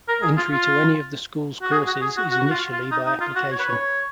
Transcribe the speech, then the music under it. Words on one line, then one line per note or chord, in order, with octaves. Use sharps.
Entry to any of the school's courses is initially by application.
A#4
G#4
F4
F4
F#4
G#4
F#4
G#4
F#4
F#4
F#4
F4
F4
D#4
D#4
F4
F#4
C#5
B4
C#5